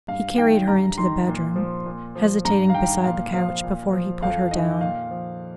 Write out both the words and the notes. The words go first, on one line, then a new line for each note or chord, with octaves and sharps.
He carried her into the bedroom, hesitating beside the couch before he put her down.
G2 F5
D#3 G5
G2 A#5
D#3 C6
A#2
F3
A#2
F3
G2 A#5
F5
D#3 G5
A#2 F5
F3 F5
A#2
F3
F2 F5
D#3 D#5
A#2 F5
F3